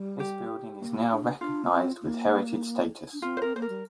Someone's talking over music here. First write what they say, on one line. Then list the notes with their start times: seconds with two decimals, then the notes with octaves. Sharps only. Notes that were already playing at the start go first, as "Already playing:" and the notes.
This building is now recognized with heritage status.
Already playing: G3
0.20 G4
0.80 A#3
1.11 D4
1.41 D4 F4
1.65 A#3
1.71 C4
2.02 A#3
3.13 D4
3.22 C4 F4
3.37 C5
3.42 C4 A#4
3.56 A#3 C5
3.62 A#4
3.69 G3